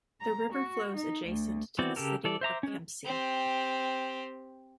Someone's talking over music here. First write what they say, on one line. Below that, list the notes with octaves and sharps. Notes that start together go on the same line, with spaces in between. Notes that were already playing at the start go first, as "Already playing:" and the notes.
The river flows adjacent to the city of Kempsey.
A#5
F#4
D#4
D2
E3 B3 C4 F#4 D5
C#3 G4 A4 A#4
E3 A4 D5
C5 E5 A#5 D6
G#3 C#4
C4 G4